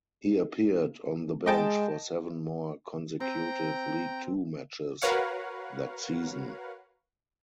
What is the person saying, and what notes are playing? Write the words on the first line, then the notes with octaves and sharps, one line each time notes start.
He appeared on the bench for seven more consecutive League Two matches that season.
G#3 D#5 G5 A5
C4 G5 A#5
F#4 A#4 B4 C#5 F5 F#5